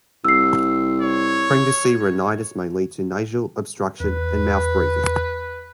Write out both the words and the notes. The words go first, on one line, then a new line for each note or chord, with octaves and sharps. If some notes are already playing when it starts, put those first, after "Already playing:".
"Pregnancy rhinitis" may lead to nasal obstruction and mouth breathing.
C2 E6 C7
C#5
E2 B4